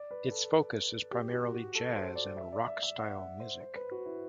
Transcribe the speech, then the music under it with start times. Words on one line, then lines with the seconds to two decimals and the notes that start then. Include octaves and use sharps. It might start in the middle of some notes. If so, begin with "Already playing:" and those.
Its focus is primarily Jazz and Rock style music.
Already playing: D5
0.11 B4
0.31 A4
1.12 G4
1.33 F#4
1.54 F#4
1.75 A4
1.96 C5
2.16 D5
2.37 E5
2.52 D5
2.67 E5
2.83 E5
2.98 F#5
3.19 E5
3.40 C5
3.60 C5
3.76 B4
3.92 F#4
4.06 E4